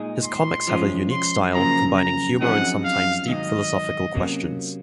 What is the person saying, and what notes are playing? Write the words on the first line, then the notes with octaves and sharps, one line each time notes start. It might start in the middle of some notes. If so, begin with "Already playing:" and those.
His comics have a unique style, combining humor and sometimes deep philosophical questions.
Already playing: A#2 G#3 D#4 G#4
C6
F3 G#3 C#4 F4
C6
F#2 C#3 F3 A#3 A#5
A#5
F#2 F3 C4 D#4 G#4 F#5
F5
G#2 D#3 F#3 D#5
C3 F#3 A#3 C#4 F#4